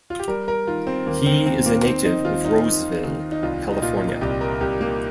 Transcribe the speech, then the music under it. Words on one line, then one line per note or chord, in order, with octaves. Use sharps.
He is a native of Roseville, California.
F4
G4
G3 A#4
A#4
D#3 F4
C4
D#2 A#3
C4
D#2 C4
A#3
D#3 C4
D#4
D#2 F4
D#4
D#3
D#2
D#4
C2 F4
D#4
A#2 F4
C2 G4
A#4
C2 G4
A#3